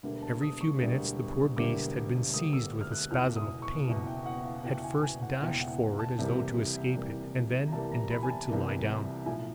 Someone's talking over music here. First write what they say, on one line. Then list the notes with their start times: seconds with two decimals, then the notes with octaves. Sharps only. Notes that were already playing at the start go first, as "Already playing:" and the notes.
Every few minutes the poor beast had been seized with a spasm of pain, had first dashed forward as though to escape it and then endeavoured to lie down.
0.03 E1 D2 D3 G3 A#3
0.22 A5
0.41 D#6
0.61 C#6
0.79 E1 D2 D3 G3 A#3
1.56 E1 D2 D3 G3 A#3 D6
2.34 E1 D2 D3 G3 A#3 D#6
2.53 E6
2.81 F6
2.92 F#6
3.11 F#1 E2 B2 F6
3.36 D#6
3.62 C#6
3.87 F#1 E2 B2
4.07 G5
4.26 F#5
4.45 F5
4.64 F#1 E2 B2 G5
4.84 G#5
5.03 G#5
5.22 F#5
5.41 F#1 E2 B2 G5
5.61 F#5
5.99 A5
6.18 C2 C3 E3 G3 A#3
6.95 C2 C3 E3 G3 A#3
7.68 A#5
7.72 C2 C3 E3 G3 A#3 A5
7.92 A#5
8.11 B5
8.23 G#5
8.30 A5
8.49 C2 C3 E3 G3 A#3
9.26 B1 A2 F3 G#5